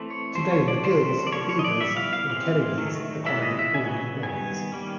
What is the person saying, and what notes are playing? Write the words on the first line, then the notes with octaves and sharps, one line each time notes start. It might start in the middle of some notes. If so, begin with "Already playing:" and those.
Today McGill's, Beevor's and Kennedy's accommodate boarding boys.
Already playing: E3 A3 C4
C#5
F3 A3 C4 C5
C#5
D5
F#3 A3 C#4 C5
D5
D3 F3 A#3 C#5
C#5
D#5
D5
E3 G3 B3 E5
F5
F5
E3 G#3 C4 F5
D#3 F#3 A3
E3 G#3 B3 E5
D#5
E5
C#3 F#3 B3 G#5
D#3 G3 B3 G#5
D#3 G3 A#3 C#4